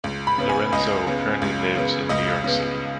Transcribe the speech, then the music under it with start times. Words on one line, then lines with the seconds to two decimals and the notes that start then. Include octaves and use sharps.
Lorenzo currently lives in New York City.
0.04 C#2
0.27 B5
0.38 C#3 B3
0.49 G#5
0.72 C#2 D#5
1.07 C#3 B3
1.42 C#2
1.75 C#3 B3
2.09 C#2 D#5
2.44 C#3 B3